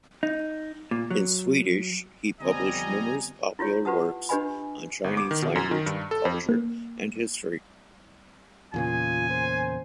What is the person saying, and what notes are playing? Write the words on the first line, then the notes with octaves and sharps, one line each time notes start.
In Swedish he published numerous popular works on Chinese language, culture and history.
D#4
A#2
F#3
F2 D3 G3 B3 C4 D#5 G#5 A#5
E4 F4 G4 C#5
F4 G4 B4 F#5 A5 D#6
D4 G4 B4 D#5 G#5 B5
G1
D6
D#3
B2
F#2
D#3
G2
A4
F2
A#3
E2 A#2 C#3 F4 G#5
C5